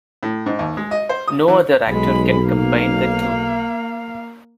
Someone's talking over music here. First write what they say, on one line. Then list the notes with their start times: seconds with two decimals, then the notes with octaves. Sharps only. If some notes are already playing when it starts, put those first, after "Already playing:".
No other actor can combine the two.
0.23 A2
0.46 G#2
0.59 D#2
0.77 G#3
0.91 D#5
1.09 C5
1.28 D#6
1.48 E3
1.88 B1 G#3 B5
2.45 A#3 F5